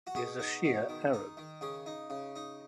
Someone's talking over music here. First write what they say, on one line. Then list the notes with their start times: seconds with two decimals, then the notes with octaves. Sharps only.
He is a Shia Arab.
0.07 F#4
0.16 B2 G#4
0.39 D#4
0.65 B2
0.89 D#3
1.13 D#4
1.37 D#3
1.61 C#3 G#4
1.86 D#4
2.10 C#3
2.36 D#4